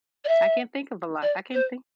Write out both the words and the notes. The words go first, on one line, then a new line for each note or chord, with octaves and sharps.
I can't think of a lot. I can't think.
D5
E5
D5
C5